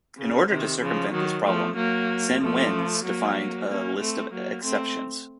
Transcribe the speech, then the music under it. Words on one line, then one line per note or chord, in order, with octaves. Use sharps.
In order to circumvent this problem, Sin Wenz defined a list of exceptions.
C#3
C3 D#3
C#3 F3
D#3 F#3
F3 A3
F#3 A#3
F3 A3
F#3 A#3
A#3 C#4
A3 C4
F#3 A#3
A3 C4